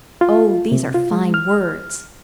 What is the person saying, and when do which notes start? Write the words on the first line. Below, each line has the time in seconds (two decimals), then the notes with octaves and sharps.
"Oh, these are fine words."
0.21 F4
0.72 C3
0.95 F4
1.11 G#3
1.34 F6